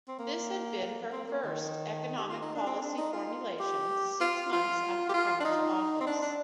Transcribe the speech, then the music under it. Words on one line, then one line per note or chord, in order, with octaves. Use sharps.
This had been her first economic policy formulation, six months after coming to office.
C4
A#3
C4
A#3
D#3
G4
F4
D#4
D4
C4
D4
D#4
F4
G4
F4
F4
G4
F4
D4
D#4
C4
D4
D4